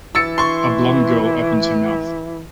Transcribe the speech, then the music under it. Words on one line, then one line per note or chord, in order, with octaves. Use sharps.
A blond girl opens her mouth.
E3 E6 A6 C#7
C6 C#6